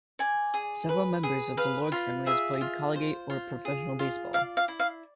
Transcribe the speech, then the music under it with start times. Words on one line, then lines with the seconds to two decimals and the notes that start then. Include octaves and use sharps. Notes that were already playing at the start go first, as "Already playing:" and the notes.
Several members of the Iorg family have played collegiate or professional baseball.
0.19 D5 G#5
0.54 G#4
0.89 B4
1.23 G#4
1.57 B4 F5
1.92 F4
2.26 G#4 E5
2.61 F4
2.96 C5
3.30 F4
3.65 G#4
3.99 F4
4.33 D5 F5
4.57 F5
4.68 E4
4.80 F5